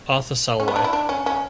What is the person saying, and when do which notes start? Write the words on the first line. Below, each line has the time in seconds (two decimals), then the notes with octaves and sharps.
Arthur Salwey.
0.60 C#4
0.68 B3
0.76 D4
0.84 E4
0.93 D4
1.09 C#4
1.26 C#4